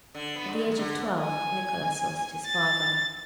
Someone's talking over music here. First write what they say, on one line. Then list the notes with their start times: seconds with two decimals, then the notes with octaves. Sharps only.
At the age of twelve Nickolas lost his father.
0.15 D3
0.35 B3
0.48 G2
0.66 E2
0.78 D3
1.20 G#5
2.46 A6